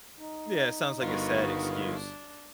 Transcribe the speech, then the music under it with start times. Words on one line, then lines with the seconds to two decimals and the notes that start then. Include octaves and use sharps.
Yeah, it sounds like a sad excuse.
0.19 D#4
1.01 G1 D#3 G3 B3 F4 F#4
1.92 D4